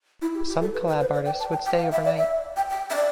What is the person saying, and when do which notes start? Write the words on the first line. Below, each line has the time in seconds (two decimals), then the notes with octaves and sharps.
Some Colab artists would stay overnight.
0.22 E4
0.35 G4
0.48 G4
0.61 A4
0.74 B4
0.87 B4
1.01 C5
1.14 D5
1.26 G5
1.40 A5
1.52 G5
1.65 G5
1.78 F5
1.92 E5
2.05 D5
2.17 E5
2.57 G5
2.70 G5
2.90 E5
2.95 D5